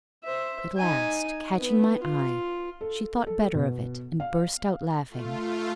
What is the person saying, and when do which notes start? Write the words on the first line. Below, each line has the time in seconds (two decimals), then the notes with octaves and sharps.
At last, catching my eye, she thought better of it, and burst out laughing.
0.24 C5 E5
0.77 D#4 G#5
1.57 B3
2.02 F4
2.81 A4
3.27 A4
3.54 B2
4.20 F5
5.08 A3 F4